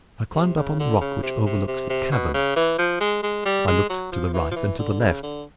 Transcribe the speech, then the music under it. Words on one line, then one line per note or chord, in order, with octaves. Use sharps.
I climbed up on the rock which overlooks the cavern; I looked to the right and to the left.
C3
C#3
D3
C#3
C3
C3
C3
C3
B2
C#3
E3
F3
G#3
G#3
G3
G#3
F#3
F3
E3
F3
E3
D3
C#3
D3